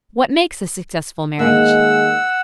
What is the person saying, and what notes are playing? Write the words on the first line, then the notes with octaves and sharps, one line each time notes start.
What makes a successful marriage?
D#3 G#3 A#3 F#5 E6